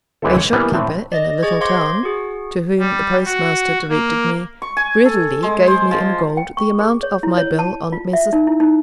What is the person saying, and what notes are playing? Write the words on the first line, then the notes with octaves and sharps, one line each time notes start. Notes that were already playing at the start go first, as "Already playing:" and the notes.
A shopkeeper in a little town, to whom the post-master directed me, readily gave me in gold the amount of my bill on Messrs.
C#2 E3 G#3 C4 E4 A4
C#5
E3 G3 A#3 B3 D4 E4
A2 C4 D4
D5 D#5 A#6
G#4 D#5 C#6 G#6
C5 F5 C6 D6 G#6 A#6
F#4 G#4
G3
F#4
A#3
C#6
G#5
A4
G#3
C5
F3
G5
C#6
G#4
C#5
E4
C#5
A5
F4
E5
D#4
E4
D#4